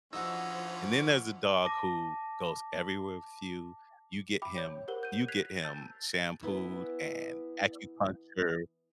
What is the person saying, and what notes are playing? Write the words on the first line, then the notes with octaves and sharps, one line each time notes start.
And then there's a dog who goes everywhere with you. You get him you get him shampooed and acupuncture,
D3 E3 F3 C#4 D#4 F#4 E6
A5 D6 A#6
E5 G5 B5 D6
C#5
G4 A#4 C5 F#5 G7
G6 D#7
F#6 G#6 B6 C7 F7
A5 E6 G6 A6
E3 B3 E4